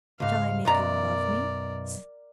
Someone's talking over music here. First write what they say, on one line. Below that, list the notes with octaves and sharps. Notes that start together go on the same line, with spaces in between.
Shall I make you love me?...
C#2 G#2 F5
B1 F#2 A#4 D5 A#5